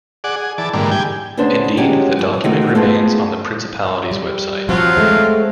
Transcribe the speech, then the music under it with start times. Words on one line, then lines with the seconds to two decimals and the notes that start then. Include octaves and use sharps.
Indeed, the document remains on the Principality's website.
0.24 G#4 D5 F#5
0.36 G#4
0.58 E3 D5 A5
0.73 G#2 D3 E3 G3 A#3
0.91 G4 G5 G#5
1.37 D2 C#3 B3 D4 C5
1.77 F#3 G#3 C#4 F4 G4 G#4
2.19 F2
2.44 D#3 A3 C4 D#4 F#4
2.75 A3 B3 F4 G#4 A4
4.11 G3
4.69 F3 F#3 C4 F4 F#4
4.97 G#3 A3 C4